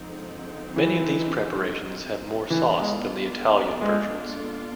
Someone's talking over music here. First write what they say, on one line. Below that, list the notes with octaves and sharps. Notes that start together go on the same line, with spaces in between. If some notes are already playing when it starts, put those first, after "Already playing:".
Many of these preparations have more sauce than the Italian versions.
Already playing: D3 F3 G#3 C4 D#4
E3
E3 B3 D4 F4 A4
G#3
G#3